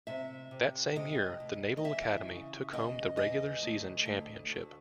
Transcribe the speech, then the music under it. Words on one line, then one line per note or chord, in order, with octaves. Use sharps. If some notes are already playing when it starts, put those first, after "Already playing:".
That same year the Naval Academy took home the regular season championship.
C3 E5
C3
C3 D#5
D2
D#5
E3 E5
C#3
E2 D#5
E2 D#5
D2
D2
D2